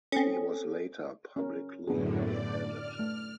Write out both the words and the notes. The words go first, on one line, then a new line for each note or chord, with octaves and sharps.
He was later publicly beheaded.
C4 C#4 A4
C#4 A#4
F#2 A2 D3 B3 D4 G#4
B3 D5
F6
A3